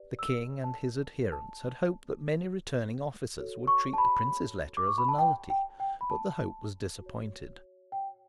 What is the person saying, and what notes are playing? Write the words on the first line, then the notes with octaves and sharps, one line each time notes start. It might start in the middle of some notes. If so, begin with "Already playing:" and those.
The King and his adherents had hoped that many returning officers would treat the Prince's letter as a nullity; but the hope was disappointed.
Already playing: G4 B4 D5
E6
A5
A5
F#4 A4 C#5
C#6
A5
B5
D6
C#6
B5
A5
G5
G5
G5
B5
A5
F#4 C#5
G5